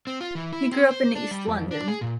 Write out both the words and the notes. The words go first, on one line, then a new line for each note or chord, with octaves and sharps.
He grew up in East London.
C4
F4
E3
E4
C4
C5
D4
G3
F2
D4
G#4
A#2